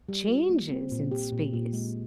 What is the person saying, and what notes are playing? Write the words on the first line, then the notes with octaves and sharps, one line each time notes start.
changes in space.
G3
F4
A#3
C4
A#2
G4
A#2
A#2
G#3